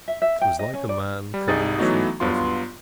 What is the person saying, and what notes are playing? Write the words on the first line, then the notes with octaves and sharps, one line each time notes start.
It was like a man coming from heaven.
E5
E5
G5
D#5
C#4
D5
G3
C2 G3 D#4 G#4 A6
E3 F#3 A3 B3 D#4 F#4
G2 F#3 B3 F4 C6